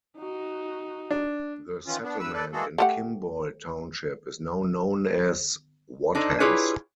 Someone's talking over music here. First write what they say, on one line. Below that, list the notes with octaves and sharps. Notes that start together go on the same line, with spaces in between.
The settlement in Kimball Township is now known as Wadhams.
D#4 F#4
D4
D#3 E3 C#4 F4
B3 D4
G2 B4 E6
A4 B4 D5
E3 G#3 A#3 F#4 G#4 A4
A3 G4 F#5
D4 D#4 A4 C5
E4 F4 G4 G#4 B4 C#5